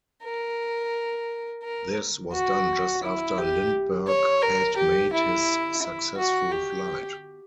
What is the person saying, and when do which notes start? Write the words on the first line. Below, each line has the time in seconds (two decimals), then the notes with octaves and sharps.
This was done just after Lindbergh had made his successful flight.
0.24 A#4
1.63 A#4
2.33 F#4
3.03 E4
3.38 G4
4.08 C#5
4.42 A#4
4.76 G4
5.12 E4
5.82 E4
6.17 F#4
6.51 G4